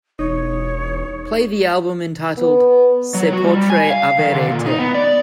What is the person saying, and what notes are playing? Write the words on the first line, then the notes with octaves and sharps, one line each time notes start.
Play the album entitled Se Potrei Avere Te.
E1 D#4 C#5
B3
F#3
F#4
G3
G#5
F5
D#3
D3
A#2
D#4
B3
D5